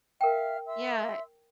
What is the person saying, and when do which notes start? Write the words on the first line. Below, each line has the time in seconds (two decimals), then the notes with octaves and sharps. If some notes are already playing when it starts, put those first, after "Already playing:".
Yeah, eh
0.21 A#4 E5 F5 G5 F6
0.66 E5 C6 E6